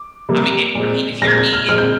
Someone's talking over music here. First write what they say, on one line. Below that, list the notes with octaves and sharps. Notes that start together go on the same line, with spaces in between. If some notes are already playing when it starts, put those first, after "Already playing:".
I mean, eh I mean, if you're eating
Already playing: D6
C3 G3 A#3
A#2 G#3 C4
A#2 G#3 C4 A#6
G#6
F6
A#2 G#3 C4 F6
G6